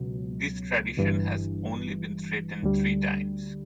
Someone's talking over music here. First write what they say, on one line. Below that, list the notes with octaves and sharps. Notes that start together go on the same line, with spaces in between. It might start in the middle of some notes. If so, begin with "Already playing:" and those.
This tradition has only been threatened three times.
Already playing: C#2 B2 F#3
G1 G2 E3
D2 D3 G3